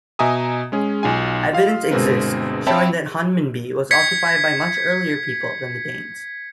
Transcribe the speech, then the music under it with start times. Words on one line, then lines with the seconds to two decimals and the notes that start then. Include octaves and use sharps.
Evidence exists showing that Hunmanby was occupied by much earlier people than the Danes.
0.19 B2 D#5 E5 G#5 A#5 D#6
0.72 G#3 C#4 G#4
1.03 B1 F4 G#5
1.53 F4 D#5 F5
1.91 G1 B2 G#3 C4 A#4 B4
2.67 C4 C#5 E5 G5 A5 B5
3.91 G#6 B6 C#7